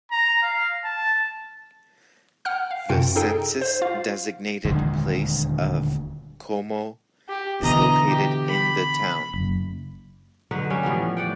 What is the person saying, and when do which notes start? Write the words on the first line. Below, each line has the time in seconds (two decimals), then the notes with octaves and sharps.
The census-designated place of Como is located in the town.
0.12 A#5
0.43 F5
0.84 A5
2.45 F#5 G5 F6 F#6
2.71 F5
2.89 F#2 C3 F4 G5 C#7
3.16 D#4 G#4 A4 G5
3.61 C5
3.82 F4 F5
4.65 D#1 D2 D3 G#3
7.29 G4
7.62 B2 D3 E3 D#5 A#5
8.08 G4
8.46 B5
9.34 F#1
10.51 D3 F#3 D#4 B4
10.70 G3 C#4
10.83 A2 E3 F3 B3
11.17 D5 F#5 G5